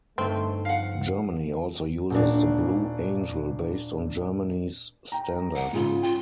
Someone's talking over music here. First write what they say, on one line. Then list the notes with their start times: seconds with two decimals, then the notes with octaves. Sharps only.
Germany also uses the Blue Angel, based on Germany's standard.
0.18 G2 D3 A3 C4 D#4
0.65 F3 F5 F#5
2.10 D#1 D4
5.12 G5 A#5
5.55 F#5
5.73 G#2 C#3 F4
6.03 F4 G5